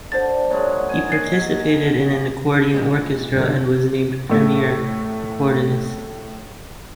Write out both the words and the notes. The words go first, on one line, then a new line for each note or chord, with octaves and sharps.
He participated in an accordion orchestra and was named "premier" accordionist.
D3 C5 A6
A#2 F#3 G#3 C#5
G#5
D#5 F#5 G#5 A6 C7
A#2 G#3
B1 G2 D3
A2 A3